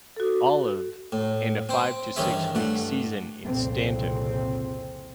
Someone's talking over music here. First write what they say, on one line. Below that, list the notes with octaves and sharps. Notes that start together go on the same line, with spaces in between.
Olive and a five to six week season in Staunton.
F#4 A4
A2
C4 C5
G2 D#3 E3 C#4 G#4 E5
G2 A3 F#5
C2 F2 A#2 C#3 C4